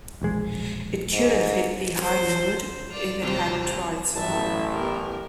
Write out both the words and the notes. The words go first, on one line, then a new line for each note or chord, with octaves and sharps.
It could have hit the high note - if it hadn't tried so hard.
E1 A#1 G#3
G#2
C5
F4 D5
D#2 C3 G3 F4 C5
A1 G2 F#3 E5 A5
B3 G4 A#4